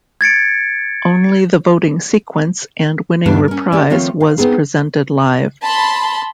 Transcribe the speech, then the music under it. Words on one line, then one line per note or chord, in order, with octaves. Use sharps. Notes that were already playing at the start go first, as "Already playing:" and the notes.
Only the voting sequence and winning reprise was presented live.
G#6 A6 C#7 D7
D2 G2 C#3 G3 B3 D4
C#4 A#4
A3 C#4 G4 D5
D#3 F3 A3 C4 F4 C#5
F5
B3 C4 D#4 G#4
A5 B5 C6